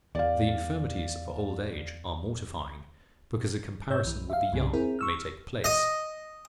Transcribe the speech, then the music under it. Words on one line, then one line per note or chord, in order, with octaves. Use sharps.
The infirmities of old age are mortifying; because a comparison with the young may take place.
E2 D5 F5
G#2 C#5 E6 G6
B1 E3
E5 F5
C2 G2 C#3
C4 E4 G#4 A#4
C#6 E6 F6
D#5